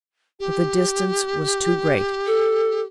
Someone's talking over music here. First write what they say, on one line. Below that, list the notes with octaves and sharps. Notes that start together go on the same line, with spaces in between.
But the distance was too great.
G4
A4